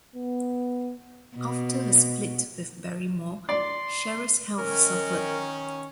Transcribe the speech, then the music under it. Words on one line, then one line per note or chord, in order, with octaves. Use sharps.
After her split with Barrymore, Cheryl's health suffered.
B3
B2
D5 C6
D#3 C#4 A#4